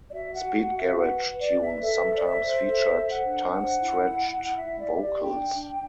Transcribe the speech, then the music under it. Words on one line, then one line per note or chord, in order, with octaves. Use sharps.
Speed garage tunes sometimes featured timestretched vocals.
D5
F#4 E5
F#5
F#4
F#5
F#4
E5
B4 F#5
B4
D5
B4
E5
A4 E5
C5
D5
E5
C5
A4 E5
C5
F#5
D4
C5 F#5
E4
E4
E4 F#5
E5
E4
D5
G4 E5
D5
D4 G5
D4